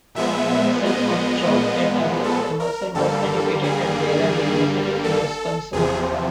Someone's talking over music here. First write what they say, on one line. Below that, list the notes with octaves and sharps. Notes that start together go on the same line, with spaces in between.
The son of John A. Douglas, Emerson was educated at Wayland University in Wisconsin.
A#2 F3 G#3 B3 E5
D#5
A4
A#4
G2 D3 G3 A#3 A4
G#4
A4
E2 C3 F3 G#4